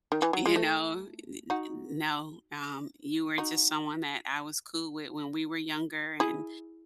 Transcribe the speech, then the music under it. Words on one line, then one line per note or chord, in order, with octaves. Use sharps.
you know, u n n no, um, you were just someone that I was cool with when we were younger and
D#3
E3
F#3
G#3
A3
D#4 F#4
D#4 F#4
E4 G#4